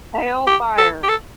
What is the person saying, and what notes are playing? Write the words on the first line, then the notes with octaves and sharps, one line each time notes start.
Hail fire!
G4
A4
G4
A4